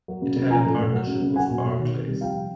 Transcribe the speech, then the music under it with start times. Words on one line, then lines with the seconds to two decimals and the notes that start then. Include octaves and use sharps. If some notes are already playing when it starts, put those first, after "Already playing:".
It had a partnership with Barclays.
0.08 F#3
0.22 C#3
0.36 C#3
0.50 F3 G#5 A#5
0.65 A2
0.79 A2
0.93 F#3
1.07 C#3
1.22 C#3
1.36 F#3 F#5 G#5
1.50 B2
1.65 B2
1.79 D#3
1.93 C3
2.07 G3
2.21 F3 F5 G5
2.36 C3